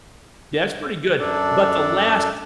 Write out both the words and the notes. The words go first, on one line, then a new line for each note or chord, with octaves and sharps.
Yeah, it's pretty good, but the last
F#2 D4 A4 D5